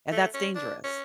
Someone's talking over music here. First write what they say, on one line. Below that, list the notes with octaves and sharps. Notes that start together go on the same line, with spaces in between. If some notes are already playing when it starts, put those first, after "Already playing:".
And that's dangerous.
A3
C#4
D4
C#4